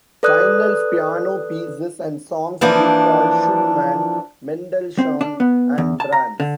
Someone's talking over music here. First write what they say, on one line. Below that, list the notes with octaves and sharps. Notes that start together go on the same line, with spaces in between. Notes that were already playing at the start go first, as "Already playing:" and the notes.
Tinel's piano pieces and songs recall Schumann, Mendelssohn and Brahms.
A4 B4 D5 D#6 F#6
E3 F3 A#3 D4
C4
D4
B3
E2
A5
A#5
D3